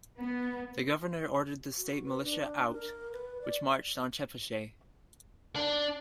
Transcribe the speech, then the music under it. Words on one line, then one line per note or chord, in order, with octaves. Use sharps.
The governor ordered the state militia out, which marched on Chepachet.
B3
F#4
B4
D4
A#4
B4
D5
D4